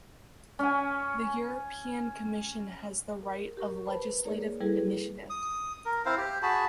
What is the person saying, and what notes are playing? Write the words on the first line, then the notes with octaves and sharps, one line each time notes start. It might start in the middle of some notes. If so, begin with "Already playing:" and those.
The European Commission has the right of legislative initiative.
C#4 G#5
A#4
G4 A#4 C#6
B4 C5 A5 B5
A#3 D#4 G#4 A#4 C#5 D5
G3 E4 G#4 A4 B4
D#6
A#4
C4 E4 C5 F5
G4
F#4 G#4 A5 B5